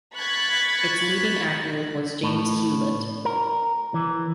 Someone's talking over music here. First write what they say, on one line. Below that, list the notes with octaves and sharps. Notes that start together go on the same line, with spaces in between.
Its leading actor was James Hewlett.
B5 C#6 F#6 G#6 A6 B6
A2
A#4
E3